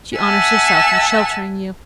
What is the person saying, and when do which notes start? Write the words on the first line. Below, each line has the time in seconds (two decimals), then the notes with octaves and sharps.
She honors herself in sheltering you.
0.16 E5 F#5 G#5 A5 E6